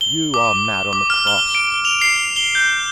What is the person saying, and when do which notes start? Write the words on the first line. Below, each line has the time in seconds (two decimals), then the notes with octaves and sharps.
You are mad on the cross.
0.01 G7
0.34 D6
0.93 D6
1.10 F6
1.27 G7
1.55 D7
1.85 F7
2.02 C7
2.36 G7
2.55 G6